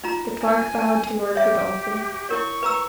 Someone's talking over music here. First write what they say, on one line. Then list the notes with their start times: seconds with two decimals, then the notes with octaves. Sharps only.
The Clerk bowed to Lord Godolphin.
0.04 D#4 F4 A#5
0.42 G#5
1.35 G4 C#5 E5
2.29 E4 A#4 C#5 C#6
2.63 B4 A#5 E6